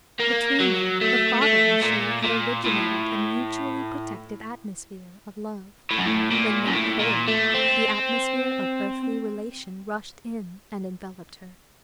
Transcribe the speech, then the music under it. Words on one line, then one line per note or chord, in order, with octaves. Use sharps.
Between them her father and she had originated a mutually protective atmosphere of love; when that failed, the atmosphere of earthly relation rushed in and enveloped her.
A#3
F#3
A3
A3
A#2
A#2
A2
A2
F#2
A2
A#2
F#2
A2
A#2
A3
C4